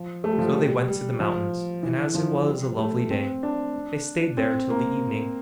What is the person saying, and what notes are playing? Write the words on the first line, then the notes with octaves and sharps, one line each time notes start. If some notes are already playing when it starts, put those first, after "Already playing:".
So they went to the mountains; and as it was a lovely day, they stayed there till the evening.
Already playing: F3
A3
G3
F3
G3
G3
F3
E3
F3
G3
A3
C4
D4
C4
A#3